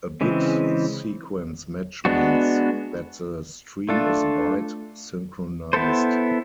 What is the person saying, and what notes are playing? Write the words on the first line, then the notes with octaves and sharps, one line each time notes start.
A bit-sequence match means that the stream is byte-synchronized.
C#3 E3 G#3 C4
G#3 B3 D4 F#4
A3 D4 F4 A4
B3 E4 A4 C5